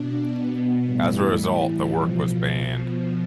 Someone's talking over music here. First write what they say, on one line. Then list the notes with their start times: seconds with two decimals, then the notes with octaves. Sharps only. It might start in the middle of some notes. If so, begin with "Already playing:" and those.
As a result the work was banned.
Already playing: B2 D4
0.29 B2 B3
0.84 A2 E3 G3
1.39 A2 E3 G3
1.94 B2 F3
2.49 B2